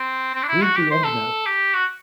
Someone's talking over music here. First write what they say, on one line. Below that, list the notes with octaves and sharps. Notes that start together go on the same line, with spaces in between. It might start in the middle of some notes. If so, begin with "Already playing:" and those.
Read the endnote.
Already playing: C4
C4
D4
E4
F#4
G4
C5
A4
G4
F#4